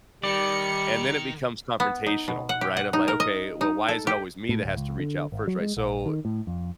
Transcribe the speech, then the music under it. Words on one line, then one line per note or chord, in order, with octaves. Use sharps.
And then it becomes confrontational, right, I'm like, "Okay, well, why is it always me that has to reach out first?" Right, so, uh
D#3 G3 D5 C#7
B3
D#4
B2
F#5
G4
F#5
D#4
A#4
D#5
D#4
A4
G4
A2
D1
C#2
D3
G#1
F#3
G#3
A#1
D#3
A2
F2